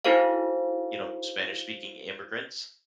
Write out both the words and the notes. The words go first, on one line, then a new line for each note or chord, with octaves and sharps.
you know, Spanish-speaking immigrants,
D#4 E4 F#4 A4 C5 F5